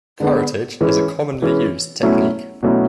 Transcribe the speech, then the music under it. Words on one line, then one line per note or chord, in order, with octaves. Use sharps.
Curettage is a commonly used technique.
D3 G#3 B3 D4
E3 G#3 C#4
E3 G#3 C#4
B2 F#3 A3 C#4 E4
B2 F#3 A3 C#4 E4